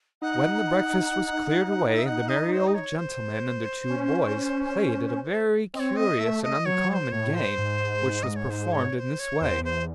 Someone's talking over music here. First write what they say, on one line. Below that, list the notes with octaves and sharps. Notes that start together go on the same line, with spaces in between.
When the breakfast was cleared away; the merry old gentlman and the two boys played at a very curious and uncommon game, which was performed in this way.
D#4 F#5
E5
F#5
D#5
C5
D#5
C#5
C5
C#4
C4 D#5
C#5
D#5
A3 E5
D#5
F#3 C#5
C#5
C5
A2 C#5
C5
G#2
D#5
C#5
C5
C#5
C#5
C5
C#5
E2 C5
C5